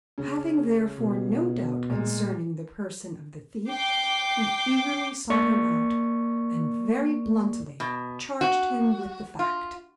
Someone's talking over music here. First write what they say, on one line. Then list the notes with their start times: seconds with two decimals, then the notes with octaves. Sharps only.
Having, therefore, no doubt concerning the person of the thief, he eagerly sought him out, and very bluntly charged him with the fact.
0.18 C#3
0.99 B2
1.89 A#2 G#3
3.70 G5 D6 C7
5.30 A#3 D5 C#6
7.80 B2
8.41 F#4
9.39 F4